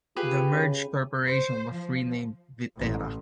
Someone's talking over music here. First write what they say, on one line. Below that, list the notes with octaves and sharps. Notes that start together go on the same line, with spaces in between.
The merged corporation was renamed Viterra.
F4 G4 G#4 B4
C#3
C5
F3
A1